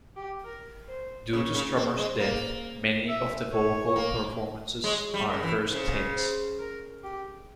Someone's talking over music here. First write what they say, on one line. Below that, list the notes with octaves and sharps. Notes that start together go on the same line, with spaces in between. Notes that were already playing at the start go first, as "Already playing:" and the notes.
Due to Strummer's death, many of the vocal performances are first takes.
G4
A#4
C5
C#3 C#5
C#3
C4
G#3
A#3
E5
C#5
A#3
G#3 C#5
G3
A#4
C#3
E3
C#3 C5
C5
A#4
G4